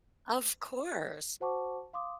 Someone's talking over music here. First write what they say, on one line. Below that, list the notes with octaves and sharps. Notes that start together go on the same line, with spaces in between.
Of course.
F#4 C5 F#5 A5 C#6 D6
F5 C6 D6 D#6